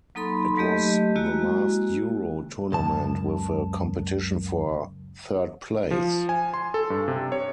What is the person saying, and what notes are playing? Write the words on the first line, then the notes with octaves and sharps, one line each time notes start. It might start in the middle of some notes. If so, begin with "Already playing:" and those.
It was the last Euro tournament with a competition for third place.
F#3 A#3 D#4 A4 B5 C6
F#3 A3 G4 D#5
G#3 A#3 E4 F#4
C#2 F#2 A5
F3
G#5
C6
A4
G2
C3
C#5